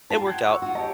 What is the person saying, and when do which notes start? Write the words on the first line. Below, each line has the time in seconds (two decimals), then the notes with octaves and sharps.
it worked out.
0.11 F4 A5
0.27 F#5 G5 G#6
0.44 C6 C#6 E6
0.62 F4 F#4
0.75 G4 C#5 D#5 A5